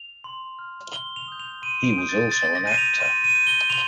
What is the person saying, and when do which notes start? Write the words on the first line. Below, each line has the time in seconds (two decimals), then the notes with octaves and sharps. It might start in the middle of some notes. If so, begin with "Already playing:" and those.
He was also an actor.
Already playing: F7
0.24 C6
0.59 F6
0.93 C6 G7
1.16 F7
1.28 D#6 G6
1.40 F7
1.62 C6 D#7
1.85 D7
1.97 D#6 G6
2.09 A6
2.31 C6 A6
2.55 A#6
2.66 G6 D#7
2.78 F7
3.00 C6 D#7
3.24 D#7
3.35 G6
3.47 G7
3.70 C6 F7